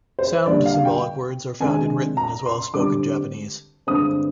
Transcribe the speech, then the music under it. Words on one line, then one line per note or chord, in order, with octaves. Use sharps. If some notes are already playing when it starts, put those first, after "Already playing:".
Sound symbolic words are found in written as well as spoken Japanese.
C5
D3 G3 A#3 D4 D5
F5
G5
C3 D#3 G#3 D4 G#5
A#5
C6
D3 G3 C4 D6
G2 D3 G#3 C4 D#6